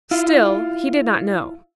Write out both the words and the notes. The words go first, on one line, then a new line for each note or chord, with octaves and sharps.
Still he did not know.
E4 F4